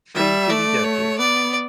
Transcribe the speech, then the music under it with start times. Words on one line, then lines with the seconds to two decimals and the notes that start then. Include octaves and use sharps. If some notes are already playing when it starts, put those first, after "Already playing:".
Free to Be Dirty!
0.15 G3 E5
0.49 A3 D5
0.84 C#5
1.18 B3 D5